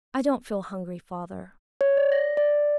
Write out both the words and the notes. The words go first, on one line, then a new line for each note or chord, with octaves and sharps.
'I don't feel hungry, father.
C#5
D5
A#6
D5